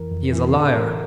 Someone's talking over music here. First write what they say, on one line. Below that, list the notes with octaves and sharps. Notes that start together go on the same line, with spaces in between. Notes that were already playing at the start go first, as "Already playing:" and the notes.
He is a liar.
Already playing: F2 E3 A#4
F2
E3
A2 A4
E3 A#4